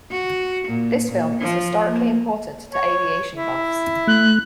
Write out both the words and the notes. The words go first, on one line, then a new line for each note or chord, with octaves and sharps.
This film is historically important to aviation buffs.
F#4
A#2
A#2
F3
A#3
C#5
E4
A3 F#6